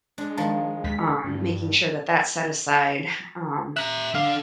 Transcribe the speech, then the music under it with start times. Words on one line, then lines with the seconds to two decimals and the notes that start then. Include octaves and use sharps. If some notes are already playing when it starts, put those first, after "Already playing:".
um, making sure that that's set aside. Um,
0.18 G#3 D4
0.37 D#3 F3 A5
0.84 D#2 B6
1.24 G2
3.77 E5 A#5 F#6
4.15 D4 A4 F5